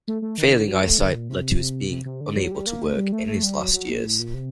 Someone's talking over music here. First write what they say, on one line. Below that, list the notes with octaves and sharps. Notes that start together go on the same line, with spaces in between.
Failing eyesight led to his being unable to work in his last years.
A3
A3
D#3
D3
F#3
A3
D3
A#2
C3
C3
C3
D3
F#3
G3
A#3
A3
G3
A3
A3
G3
F#3
F#3
A#2
A2
A#2
C3